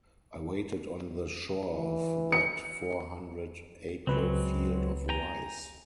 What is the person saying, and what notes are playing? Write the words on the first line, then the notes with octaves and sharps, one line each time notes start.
I waited on the shore of that four hundred acre field of rice.
E3
C#7
C#2 F#3 G#3 C4 B4
G5 G#5 A#5